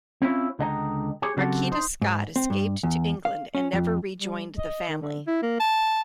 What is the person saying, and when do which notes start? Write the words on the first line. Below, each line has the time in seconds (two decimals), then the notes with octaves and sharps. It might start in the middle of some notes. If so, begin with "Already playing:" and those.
Marquita Scott escaped to England and never rejoined the family.
0.22 C4 C#4 E4 F4 C#5
0.59 C#2 D3 D#5 G5 G#5 A#5
1.22 G4 G#4 C#5
1.37 C#3 F#3 C4 F#4 G4 A4
1.72 D#4 C5
2.02 G#2
2.36 C4
2.50 G2
2.83 E2
3.25 F5
3.55 C#4
3.73 F2
4.20 G3
4.58 D#5
4.89 D#3
5.02 D3
5.27 E4
5.42 A#3
5.60 A5